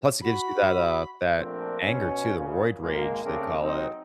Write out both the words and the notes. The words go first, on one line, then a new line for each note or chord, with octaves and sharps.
Plus it gives you that, uh that anger too, the roid rage, they call it.
F#4 B5
A#1 F3 A3 C4 D4 A#4
B2 C#4
A#2 C#3
G#1 G#3 A#3
C#3 A3 C4 D4 G#4 A#4
F#3 C4 D#4